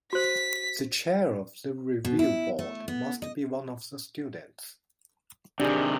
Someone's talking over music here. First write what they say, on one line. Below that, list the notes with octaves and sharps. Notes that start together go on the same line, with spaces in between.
The chair of the Review Board must be one of the students.
F#4 C5 B6
B2
E4
A3
B3
D#5
C3 D#3 D4 G4 G#4